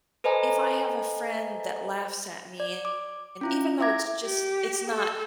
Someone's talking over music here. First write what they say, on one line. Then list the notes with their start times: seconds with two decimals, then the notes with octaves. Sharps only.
if I have a friend that laughs at me, and even though it's just, it's not
0.24 A4 B4 C5 D#5 G#5 A#5
2.60 D5
2.85 D6
3.41 C#4 E4 F4
3.80 E4 E5 D6 G#6 A#6
4.25 G4
4.90 A4